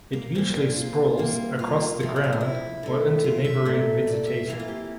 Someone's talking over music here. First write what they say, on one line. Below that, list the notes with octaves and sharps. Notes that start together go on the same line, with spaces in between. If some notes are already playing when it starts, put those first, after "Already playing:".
It usually sprawls across the ground or onto neighboring vegetation.
A#3
A#2 F3 A#3 C4
D4
F4
C3 G3 A#3
F4
C3 F3 A#3
A#3
C4
D4
E4
D3 A3
F4
E5
A#2 A3
D5
E5
C3 E3 A#3 F5
F4
G4